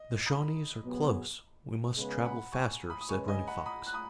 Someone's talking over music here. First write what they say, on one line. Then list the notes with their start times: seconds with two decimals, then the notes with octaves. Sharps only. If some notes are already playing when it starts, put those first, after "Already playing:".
"The Shawnees are close, we must travel faster," said Running Fox.
Already playing: D#5
0.26 B5 D#6
0.84 B2 F#3 B3 G#4
1.96 C#3 G#3 B3 G#4 B4
2.25 F#5 B5
2.52 G#5 C#6
2.90 B5 D#6
3.01 D#6
3.09 C#3 G#3 C#4 B4 G#5 C#6
3.28 D#5 G#5
3.47 F#5 B5
3.66 B5 D#6
3.87 F#6
3.93 B5 D#6